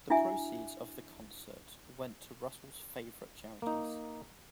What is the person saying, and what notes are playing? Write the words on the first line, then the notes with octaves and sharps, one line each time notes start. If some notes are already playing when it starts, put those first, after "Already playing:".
The proceeds of the concert went to Russell's favourite charities.
D4 E4 F#4 E5 G#5
A#3 D#4